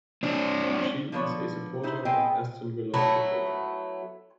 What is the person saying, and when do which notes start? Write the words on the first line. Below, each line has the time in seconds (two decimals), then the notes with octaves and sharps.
She is a supporter of Aston Villa football club.
0.23 C4 D4
1.12 D3 F3 B3 C#5
1.83 D#4 E4 C5
2.05 B3 C4 G#4 D#5 G5 G#5
2.94 F#3 A3 B3 E4